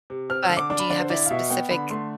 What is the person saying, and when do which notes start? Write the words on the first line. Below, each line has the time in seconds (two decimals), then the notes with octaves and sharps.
but do you have a specific
0.10 C3
0.30 C4 F6
0.43 E6
0.49 D3
0.57 D6
0.70 D4 D6
0.79 B5
0.90 D3 D5
1.00 C5
1.10 E4 D5
1.26 F5
1.30 B2 E5
1.50 B3 G5
1.71 D3 B5
1.91 A3 C6